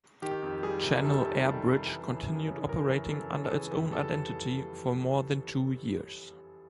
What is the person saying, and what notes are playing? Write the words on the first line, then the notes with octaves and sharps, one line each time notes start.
Channel Air Bridge continued operating under its own identity for more than two years.
D#3 G4
F2
G3 G#4
C3
D#3 A4
F2
G3
C3
E3
F#2
F#2
C#3
E3 A#4
F#2
F#2 A4
C#3
A4
E3 G#4
F2
G3 A4